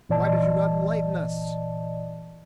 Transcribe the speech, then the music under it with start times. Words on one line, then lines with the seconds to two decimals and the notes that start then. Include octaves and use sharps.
Why did you not enlighten us?
0.09 G1 A#2 E3 D5 D#5 A5